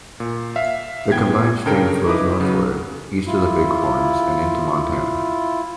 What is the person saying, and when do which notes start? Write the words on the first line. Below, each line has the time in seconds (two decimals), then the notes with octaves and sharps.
The combined stream flows northward, east of the Bighorns, and into Montana.
0.20 A#2
0.56 E5 F5
1.12 E3 B3 G5 G#6
1.66 G2 C#3 A4 A#4 G5
2.06 D#4 E4 B4 D#5 D6
2.40 C#3 F#3 B4
3.26 E4 F4